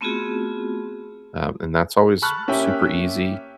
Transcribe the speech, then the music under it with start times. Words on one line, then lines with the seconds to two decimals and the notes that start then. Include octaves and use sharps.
um, and that's always super easy.
0.01 A3 B3 C4 F4 F#4 G#4
2.22 A5 B5 C#6 F6 F#6
2.48 A#3 C#4 G4 E5 G5